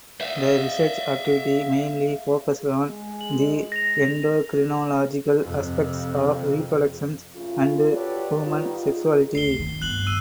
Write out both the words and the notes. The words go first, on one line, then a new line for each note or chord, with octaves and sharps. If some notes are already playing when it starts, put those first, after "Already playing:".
The research activity mainly focused on the endocrinological aspects of reproduction and human sexuality.
E5 F5
G#3
F#7
A#6 F7
F2 C3
F#2 C#3 A3 F4
F#4 G4 A4 B4 C#5 D5
D#3 G3 B3 D#4 F4
D2 C7 G7
D#3
G1 G2 F#6 F#7
E6 D#7